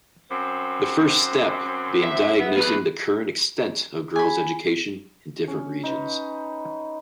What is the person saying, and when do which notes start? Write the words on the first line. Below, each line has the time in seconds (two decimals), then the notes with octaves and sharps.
The first step being diagnosing the current extent of girls' education in different regions.
0.32 F#2 C4
2.03 E5
2.40 B3
2.57 B3 G#4 B4
4.16 G#5 B5
5.48 C#4
5.83 D#4 B4